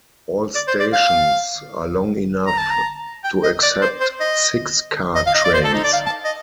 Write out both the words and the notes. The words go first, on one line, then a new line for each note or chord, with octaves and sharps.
All stations are long enough to accept six-car trains.
D5
C5
D5
F5
A#5
A5
A#5
G5
D#5
D5
C5
C5
D#5
D#5
F5
D#5
D5
C5
A4
D#4
D5
F5
A5
D#5